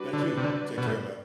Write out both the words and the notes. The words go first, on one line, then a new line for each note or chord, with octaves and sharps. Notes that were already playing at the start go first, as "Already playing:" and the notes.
Thank you, take care, man
Already playing: G3 D4 F#4 B4 D5
D3
C3
D3
B2
A2